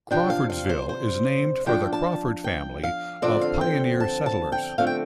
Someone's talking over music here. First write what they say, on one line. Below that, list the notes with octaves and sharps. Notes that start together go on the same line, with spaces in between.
Crawfordsville is named for the Crawford family of pioneer settlers.
C3 F3 D4 G5
F5
F5
C5
C5
F3 D4 G5
A5
G5
F5
D3 F3 C4 D5
F5
G5
A5
A5
G5
D3 F3 A3 C4 F5
G5